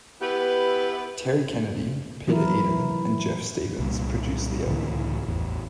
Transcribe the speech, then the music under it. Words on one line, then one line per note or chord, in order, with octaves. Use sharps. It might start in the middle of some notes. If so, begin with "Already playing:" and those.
Terry Kennedy, Peter Eden, and Geoff Stephens produced the album.
B3 E4 G4 B4
E3 F#3 E4 A#4
C2 A#2
C#2 A2 D3 E3
A1 E2